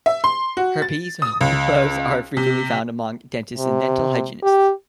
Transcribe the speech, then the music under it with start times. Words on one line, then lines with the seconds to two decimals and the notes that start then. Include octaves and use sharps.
Herpes whitlows are frequently found among dentists and dental hygienists.
0.06 E5
0.24 C6
0.57 F#4
0.82 A6
1.22 D#6
1.41 C#2
2.37 C3
3.57 C3
4.43 G4